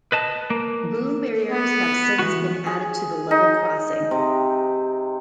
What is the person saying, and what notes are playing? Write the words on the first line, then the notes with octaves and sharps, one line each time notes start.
Boom barriers have since been added to the level crossing.
B4 D#5 A5
A#3
B3
E3 F#4
G#4
D#4
C3